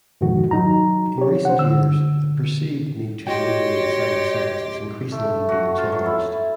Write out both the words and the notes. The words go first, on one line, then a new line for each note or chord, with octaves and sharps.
In recent years, the perceived need to legally assign sex is increasingly being challenged.
F2 G#2 B2 D#3 F#4
F#3 D#4 A#5
G4 C#5
C5 F#5
D3 E6
F#4 G4 C#5 D#5 G5 C6
A3
F#4
F4
F#3
E4